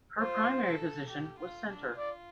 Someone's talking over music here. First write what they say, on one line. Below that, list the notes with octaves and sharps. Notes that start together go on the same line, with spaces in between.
Her primary position was center.
F4 C5
A4
G4
F4
D4
F4 D5